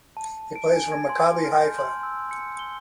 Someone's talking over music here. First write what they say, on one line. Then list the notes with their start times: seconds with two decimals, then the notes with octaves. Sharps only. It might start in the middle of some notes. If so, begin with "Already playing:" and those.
He plays for Maccabi Haifa.
0.17 A5
0.56 D7
0.73 G#5
0.92 G#6
1.09 C6
1.44 F6
1.61 G6
1.78 C6
2.03 E6
2.31 C#7
2.59 G7